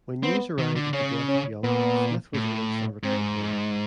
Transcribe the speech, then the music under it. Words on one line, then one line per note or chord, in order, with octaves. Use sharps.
When news arrived of the death of Young, Smith was released and returned home.
B3 C4
D#3
D3
C#3 C#4
C#4
A#2 B3
A2
G#2 C4